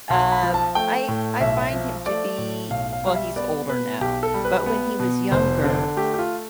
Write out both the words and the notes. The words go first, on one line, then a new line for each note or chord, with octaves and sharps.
um, I I find him to be well, he's older now, but when he was younger,
B1 C6
B5
F3
A5
A3 G5
A2
B1 E5
F3
A3 D5
A2
B1 F5
F5
G3 F5
E5
B3 D5
B2 B4
B1 G4
A4
G3
B4
B3
B2
F1 C5
D3
A3 G4
G4
F4